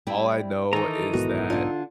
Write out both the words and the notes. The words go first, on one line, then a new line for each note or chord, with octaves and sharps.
all I know is that
G3 C4 E4
D#3 E3 D#4 A4 A#4 A#5
B1 G#2 B3 F#4
D3 D4 F4